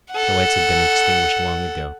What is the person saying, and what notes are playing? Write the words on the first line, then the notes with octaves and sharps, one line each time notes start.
The lights had been extinguished long ago.
A4 F#5